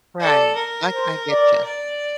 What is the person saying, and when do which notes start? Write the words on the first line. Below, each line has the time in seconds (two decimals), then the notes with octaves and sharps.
Right, like, I gotcha.
0.20 A4 D5
0.55 A#4
0.93 C5
1.29 D5
1.65 D5